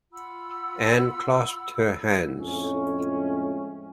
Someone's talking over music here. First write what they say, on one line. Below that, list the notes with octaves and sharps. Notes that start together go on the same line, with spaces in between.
Anne clasped her hands.
F4 F#5 B5 E6
F2 A2 G#3 C#4